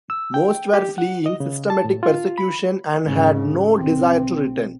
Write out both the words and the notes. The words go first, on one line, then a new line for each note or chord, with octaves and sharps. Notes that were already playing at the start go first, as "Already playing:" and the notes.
Most were fleeing systematic persecution and had no desire to return.
E6
G5
G4
F#5
D#5
C#3
A5
A2
F4
B5
G#2 C#3
B1 C4